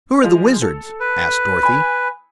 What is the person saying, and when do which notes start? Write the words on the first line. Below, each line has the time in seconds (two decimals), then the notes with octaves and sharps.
"Who are the wizards?" asked Dorothy.
0.22 F3 G#3 F7
0.62 A4
1.00 B4
1.63 G#5 B5